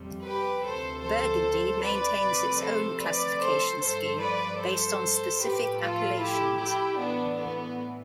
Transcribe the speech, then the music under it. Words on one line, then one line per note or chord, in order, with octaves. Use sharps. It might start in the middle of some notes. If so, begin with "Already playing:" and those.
Burgundy maintains its own classification scheme based on specific appellations.
Already playing: F2 C3 G3
G4 B4
D2 C3 F3 A4 C5
A4 C5
B4 D5
C2 C3 F3 A3
A4 C5
B4 D5
A4 C5
G2 F3 A3 A4 C5
B4 D5
A4 C5
A2 F3 A3 G4 B4
F4 A4
E4 G4
E4 G4
A2 E3 A3 B3 D4
B3